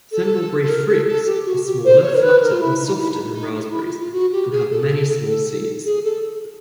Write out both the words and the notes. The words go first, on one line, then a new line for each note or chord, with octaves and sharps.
Thimbleberry fruits are smaller, flatter, and softer than raspberries, and have many small seeds.
A4
A4
A#4
A4
A4
G4
F#4
G4
C5
C#5
A#4
B4
A#4
F4
E4
D#4
E4
D#4
D#4
D#4
E4
F4
F4
F#4
G4
G#4
A4
G#4
A4
G#4
A4